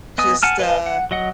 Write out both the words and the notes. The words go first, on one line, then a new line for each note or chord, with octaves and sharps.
just, uh
B3 D#5 G#5 D#6
F#5 G#5 A5 F6
B4 D#5 F5 G#5 A5
F#5
F#3 D#5 F#5